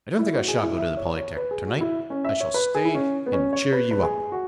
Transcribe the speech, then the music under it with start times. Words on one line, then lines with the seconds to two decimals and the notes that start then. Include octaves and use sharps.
I don't think I shall go to the Polytec. to-night; I shall stay and cheer you up.
0.19 E4
0.33 F#4
0.48 G#4
0.63 E4
0.78 E5
0.97 C#5
1.17 C#5
1.36 B4
1.51 G#4
1.67 F#4
1.81 E4
2.10 C#4
2.25 E5
2.40 C#5
2.54 B4
2.75 G#4
2.85 E4
2.95 C#4
3.26 B3
3.33 C#4
3.53 C#5
3.73 B4
3.91 B4
4.03 G#4
4.32 F#4